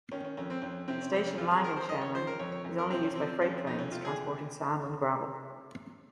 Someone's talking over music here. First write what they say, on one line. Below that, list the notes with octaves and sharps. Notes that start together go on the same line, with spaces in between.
The station Langenschemmern is only used by freight trains, transporting sand and gravel.
D#3 C#4
C#4
F2 C#4
C4
F2 C#4
C3 C4
C#4
F2 C4
C#4
F2 F4
G#4
D#3 A#4
C5
D#3 D#5
C#5
F3 C5
A#4
F2 C#5
C#5
F2
A#4
C3 C4
C#4
F3 C4
F2 C#4
F2 D#4
C#4
C3 F4
G#4